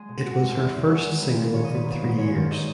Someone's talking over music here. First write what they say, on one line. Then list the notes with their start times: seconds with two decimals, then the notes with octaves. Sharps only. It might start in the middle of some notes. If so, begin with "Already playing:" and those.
It was her first single in three years.
Already playing: G#3 G#4
0.09 B2
0.25 B2 F#4
0.41 G#3
0.57 E2 E4
0.74 E2
0.89 G#3 E4
1.05 D#3
1.21 A#3 B4
1.38 A#2
1.54 A#2 C#5
1.64 D#5
1.70 A#3
1.75 B4
1.86 G#2
2.02 G#2
2.18 G#3 C#5
2.34 D#3
2.51 D#5